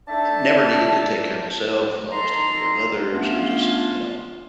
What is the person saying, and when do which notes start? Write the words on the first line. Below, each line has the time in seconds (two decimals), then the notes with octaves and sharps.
never needed to take care of myself, was always taking care of others, and just, you know?
0.08 A3 D4 D#4 E5 A5
2.12 D#4 A4 A#5 C6
3.12 A3 B3 C#4 D4 F4